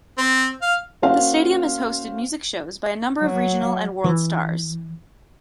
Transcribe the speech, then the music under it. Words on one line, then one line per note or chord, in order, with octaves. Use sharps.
The stadium has hosted music shows by a number of regional and world stars.
C4
F5
A#3 C#4 F#4 C5 F5
F#3
E3